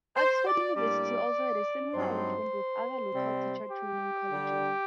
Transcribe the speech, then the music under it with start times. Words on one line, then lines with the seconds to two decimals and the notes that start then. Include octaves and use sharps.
Oxford University also had a similar arrangement with other local teacher training colleges.
0.17 C5
0.46 D5
0.76 A2 G3 A#3 D4 D5
1.94 G2 F#3 C4 D#4 C5
3.13 C3 G3 C4
3.71 G4
4.30 D3 G3 D4